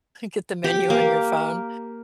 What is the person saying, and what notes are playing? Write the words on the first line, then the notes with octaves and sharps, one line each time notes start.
get the menu on your phone.
G4
A#3